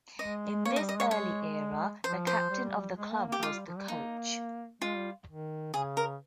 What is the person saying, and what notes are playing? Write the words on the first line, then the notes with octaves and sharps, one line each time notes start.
In this early era, the captain of the club was the coach.
G#3 D#5
A#3 C#5
D#5
G3
D#5
G#3 C#5
G#3 C#5
F3 C5
C5
G3
G#3
A#3
A#3
G4
A#3
G#3 F4
G3
F3
G3
A#3 D#4
G#3 F4
G3
D#3
C#3 G#4
A#4